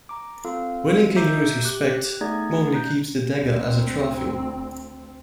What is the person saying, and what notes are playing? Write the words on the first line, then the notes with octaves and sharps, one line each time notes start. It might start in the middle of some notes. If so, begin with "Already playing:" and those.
Winning King Louie's respect, Mowgli keeps the dagger as a trophy.
A#5 D6
C4 F4 A4 F5
E5 A#5 D6 E6 G6
G4 D6 F#6
A3 B3 D#4 G#4 D5 G#6
A#5 F#6 G6
D2 C4